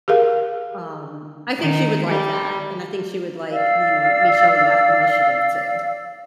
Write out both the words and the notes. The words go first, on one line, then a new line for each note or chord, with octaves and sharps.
um, I think she would like that, and I think she would like, you know, me showing that initiative too,
G4 G#4 A#4 F5
D#3
G3
D5 F5 E6